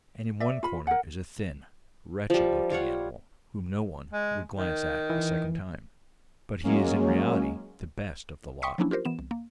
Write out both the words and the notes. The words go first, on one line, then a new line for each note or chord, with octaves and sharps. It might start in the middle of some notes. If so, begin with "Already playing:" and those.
And in one corner is a thin, wretched-looking animal whom no one would glance at a second time, but he is in reality the best of the lot.
D5 E5
F4 B5
A#4 F#5
F3 G3
G3 F4 C#5 F#5
G#3
D#3
E3
F#3 G#3 A#3 C#4
G5 C6 C#6 D#6 B6 C#7
F3 F#3 A#3 C#4 D4 E4
F4 G4 A#4 C5
E3 B3 E7
C2
A#3